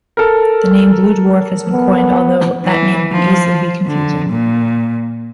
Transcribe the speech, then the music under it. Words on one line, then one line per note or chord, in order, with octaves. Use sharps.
The name blue dwarf has been coined although that name could easily be confusing.
A4 A#4
B3
E3
F3
D3
A#2